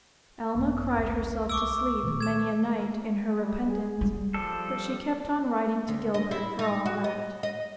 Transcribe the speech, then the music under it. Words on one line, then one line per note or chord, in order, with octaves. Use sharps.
Alma cried herself to sleep many a night in her repentance, but she kept on writing to Gilbert, for all that.
G#1 F#2 B3
G#1 D2
C2 A5 C#6 D6 E6 D7
A#2 D#3 F#3
G#6 E7
G3
G#4
G3
F3 G3 A4
D2
D#5
E4
D#4
F#4
D#5
D#5